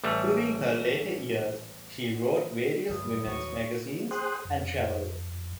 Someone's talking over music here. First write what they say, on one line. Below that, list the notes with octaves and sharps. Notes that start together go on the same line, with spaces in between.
During her later years, she wrote various women's magazines and traveled.
A1 G3 A3
D2 G2 F#3 G#3 B4 E5 D#6
D#2 F#3 C#6
G#4 C5 G5 C6 D#6 F#6
F2